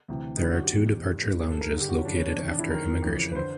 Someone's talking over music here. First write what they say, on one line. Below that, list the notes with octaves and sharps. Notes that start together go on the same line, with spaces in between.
There are two departure lounges located after Immigration.
D2 C3 E3
D#4
F#2 D3 E4
F#4
G4
E2 B2
G2 D#3
G2 D#3 G#4
A4
A#4
G2 D3 G4 G#4
F#4
C#4
E2 C#3 E3 D4
C#4
D4
E2 C3 D#3 C#4
D4
E4
F#2 D#3 A#4
F2 C#3 E3
B4
D3 C5